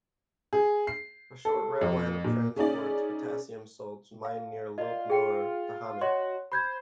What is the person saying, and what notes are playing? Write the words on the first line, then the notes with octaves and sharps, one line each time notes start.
A short rail line of transports potassium salts mined near Lop Nur to Hami.
G#4
C7
A4
F2
A#2
C#3 C#4 D#4 D5
F5
F4 D5 D#5
G#4 G5 C#7
F#4 C#5 D#5 C6
C5 B5 G6 G#6